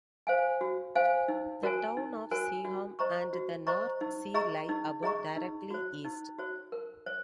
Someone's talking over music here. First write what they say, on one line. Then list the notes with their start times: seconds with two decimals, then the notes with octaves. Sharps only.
The town of Seaham and the North Sea lie about directly east.
0.27 C5 F5 G#5
0.61 F#4
0.95 C5 F5 G#5
1.28 D#4
1.63 F#4 A#4 C#5 G#5
1.97 D#4
2.31 F#4 A#4 C#5 G#5
2.65 F#4
2.99 C5 D#5 A#5 C#6
3.33 F#4
3.67 C5 D#5 A#5 C#6
4.01 D#4
4.34 G#4 D#5 A#5 C#6
4.69 D#4
5.03 G#4 D#5 A#5 C#6
5.37 D#4
5.70 F#4 C#5
6.05 D#4
6.38 F#4 C#5
6.72 A#4
7.06 C#5